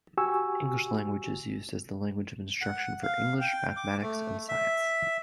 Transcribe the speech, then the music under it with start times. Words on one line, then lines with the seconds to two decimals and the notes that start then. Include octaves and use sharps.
English language is used as the language of instruction for English, Mathematics, and Science.
0.17 F#4 G4 G#5 C#6 E6
2.61 F#5
3.03 F5
3.41 G5
3.76 D6
4.02 A3
4.49 E5